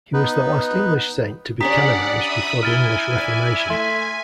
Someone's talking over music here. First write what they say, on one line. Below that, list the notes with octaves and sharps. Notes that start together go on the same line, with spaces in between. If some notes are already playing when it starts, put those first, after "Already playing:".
He was the last English saint to be canonised before the English Reformation.
B3 D#4 B4
C#4 D4 G4 D5 F#5 A#5 D#6 B6
E5 B5 D#6 D#7
E4 G#5 F6 A6 G7
D5
A3 C6 B6